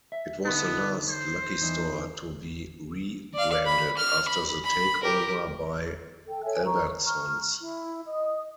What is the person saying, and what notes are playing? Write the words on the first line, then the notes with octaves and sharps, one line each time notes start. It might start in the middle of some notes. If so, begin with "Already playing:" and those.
It was the last Lucky Store to be re-branded after the takeover by Albertsons.
E5
D3 B3 D#4
C5
E2 E3 D#4
D5 F5
B5
F6
B5
B5
G4 A#4
A4 G5
A4 C#5 E5 G#5
A#5 C#6
A#5 C#6 F6
E4
D#5 D#6